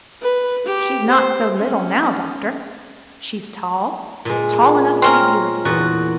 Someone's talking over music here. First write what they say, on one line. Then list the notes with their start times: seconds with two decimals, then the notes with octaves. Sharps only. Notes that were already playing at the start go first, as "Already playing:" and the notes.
"She's not so little now, Doctor; she's tall--tall enough to be beautiful."
0.21 B4
0.66 G4
1.10 C5
1.57 C#4
4.25 A#2 G#3
5.02 C4 C#4 A#4
5.65 E2 A#2 F#4